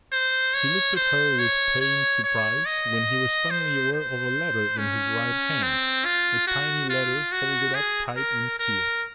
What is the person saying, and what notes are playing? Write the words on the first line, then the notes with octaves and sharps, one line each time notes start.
He looked at her with pained surprise, when he was suddenly aware of a letter in his right hand, a tiny letter folded up tight and sealed.
C5
C#5
C5
C#5
C#5
C#5
D#5
C5
C5
C#4
C4
F4
F#4
F4
F#4
G#4
A#4
A#4